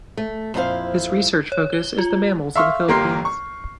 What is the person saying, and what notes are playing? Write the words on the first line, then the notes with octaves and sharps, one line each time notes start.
His research focus is the mammals of the Philippines.
A3
F2 A#2 D4 E4 C5 F5
C#5
G7
F4
E5 F5 C6 C#6 F6
G1 A#3 G4 A#4 C6 C7
C#6